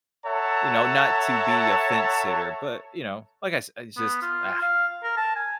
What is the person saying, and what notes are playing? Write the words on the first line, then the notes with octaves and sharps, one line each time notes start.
you know, not to be a fence-sitter, but, you know, like I sa it's just ugh,
A4 C#5 E5 F#5 A5 A#5
B3
F4
F5
A#4
A5
G#5